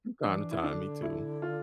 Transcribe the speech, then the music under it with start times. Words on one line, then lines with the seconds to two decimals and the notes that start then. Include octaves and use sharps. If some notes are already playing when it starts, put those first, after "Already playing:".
From time to time, me too.
0.23 E3 D4
0.51 E4
0.63 D3 D4
1.02 E4
1.42 F4